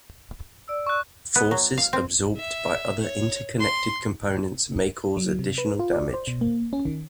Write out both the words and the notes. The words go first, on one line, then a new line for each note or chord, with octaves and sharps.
Forces absorbed by other interconnected components may cause additional damage.
D5 E6
C#6 F#6
B3
F#3
F5
C4
E5
C#5
C6
F#3
C3
B4
F4
D5
C5
B2
A#3
C#4
D#3